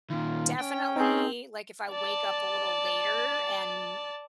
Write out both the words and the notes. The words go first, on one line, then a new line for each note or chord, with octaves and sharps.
definitely, like, if I wake up a little later and,
A#2 D#3 F4
C#4 G5
C4 D#4 G#4
D5 A5